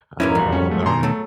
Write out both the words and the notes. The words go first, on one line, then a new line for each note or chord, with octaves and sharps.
I know all about it.
G#2 B2 A#3 C#4 E4
A#1 F2 G3 F4 F#4
C#4 C#5
G#3 A3
B2 D#3 G#5 A#5 C6
F#3 A3 A4